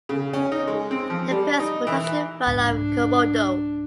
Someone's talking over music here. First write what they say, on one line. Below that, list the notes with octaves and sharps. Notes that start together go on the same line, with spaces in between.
The first production run of Komodo.
C#3
C#4
D#4
G#3
C4
F3
G3
D#4
E3
C2 G#2 D4